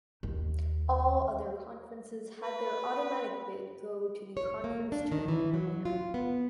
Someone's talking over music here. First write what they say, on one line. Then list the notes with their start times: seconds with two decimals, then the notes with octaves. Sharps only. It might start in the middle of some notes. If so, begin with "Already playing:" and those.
All other conferences had their automatic bid go to the conference tournament winner.
0.23 D#2
2.42 B4
4.37 C#5
4.64 A#3
4.92 D4
5.12 D#3
5.28 E3
5.54 F#3
5.85 F4
6.14 B3